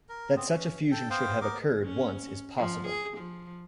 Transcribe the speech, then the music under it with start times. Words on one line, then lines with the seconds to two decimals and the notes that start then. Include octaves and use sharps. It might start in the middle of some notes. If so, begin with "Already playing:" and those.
That such a fusion should have occurred once is possible.
0.09 A#4
0.36 B3 C4
0.52 C#4
0.91 A4 G5
1.10 B3 C5 F5 G5
1.41 B3 A#4 D6
1.85 C#4
2.57 F3
2.87 G#4
3.17 F3